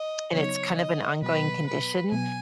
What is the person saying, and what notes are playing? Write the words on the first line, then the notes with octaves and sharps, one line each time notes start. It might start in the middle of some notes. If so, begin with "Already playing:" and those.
and it's kind of an ongoing condition,
Already playing: D#5
C#3 F#3 B3 D#4 C#5
D#5
B2 F#3 B3 B4
B4
B2 F#3 B3 G#5